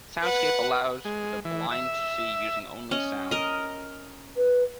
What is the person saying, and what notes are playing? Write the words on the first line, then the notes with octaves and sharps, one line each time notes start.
Soundscape allows the blind to see using only sound.
B4 F#5
G#3
E3
E5
C#4 D#5
A#4 D#5
B4